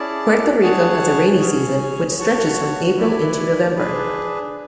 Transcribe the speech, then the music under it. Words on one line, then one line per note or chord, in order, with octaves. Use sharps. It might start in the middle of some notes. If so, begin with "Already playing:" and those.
Puerto Rico has a rainy season which stretches from April into November.
Already playing: C#4 E4 G#4 D5 A5
G#4 C#5 F#5 A5
C#4 G#4 C#5 G#5
F#4 C#5 F#5 A5
E4 B4 D5 G#5
D4 G#4 B4